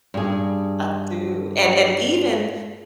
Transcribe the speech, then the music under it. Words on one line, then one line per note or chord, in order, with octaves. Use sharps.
I do. And and even
G2 G#4